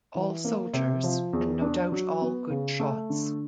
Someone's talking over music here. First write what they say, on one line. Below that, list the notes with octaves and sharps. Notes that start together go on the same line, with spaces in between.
All soldiers, and no doubt all good shots.
E3
A#3
C3
F3
E2
D4
F#3
B3
C#3
A3
D3